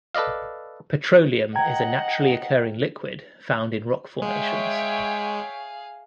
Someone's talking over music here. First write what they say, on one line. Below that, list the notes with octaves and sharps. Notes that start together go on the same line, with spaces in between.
Petroleum is a naturally occurring liquid found in rock formations.
A4 B4 D5 D#5 F5
D#5 F#5 G5 A#5 G#6
G#3 G#4 C#5 E5 F5 G5